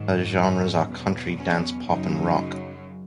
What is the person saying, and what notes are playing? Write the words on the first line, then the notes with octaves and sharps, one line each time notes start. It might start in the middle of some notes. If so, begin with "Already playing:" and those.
Her genres are country, dance, pop and rock.
Already playing: G#2 D#3 F#3
C#4
E2 B2 F#3 B3
C#4
F#2 C#3 F#3 D#4